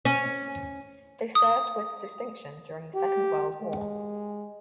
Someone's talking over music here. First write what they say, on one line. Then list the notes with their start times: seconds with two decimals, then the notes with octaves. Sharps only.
They served with distinction during the Second World War.
0.05 C#4
1.35 D#6
2.95 G4
3.63 G#3